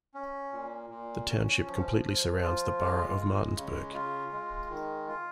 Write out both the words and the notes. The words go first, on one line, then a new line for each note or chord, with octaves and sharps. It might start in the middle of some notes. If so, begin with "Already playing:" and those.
The township completely surrounds the borough of Martinsburg.
C#4
A#2
A#2
C#4
F3
F3
F4
G#3
G#3
C#3
F4
G#3
D#3
F4